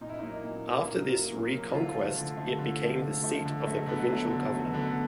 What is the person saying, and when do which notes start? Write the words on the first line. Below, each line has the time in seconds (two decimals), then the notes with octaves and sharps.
After this reconquest it became the seat of the provincial governor.
0.01 A#2 D#4
0.09 E4
0.19 F#3 A#3 D#4
0.45 A#2
0.66 F#3 A#3
0.87 A#2
1.09 F#3 A#3
1.31 A#2
1.52 F#3 A#3
1.73 D3 F4
1.95 F3 A3
2.17 D3
2.37 F3 A3
2.58 D3
2.80 F3
2.86 A3
3.02 D3
3.23 F3 A3
3.45 D3
3.67 F#3 A3
3.88 D3 B3
4.09 F#3 A3
4.30 D3
4.52 F#3 A3
4.73 D3 B3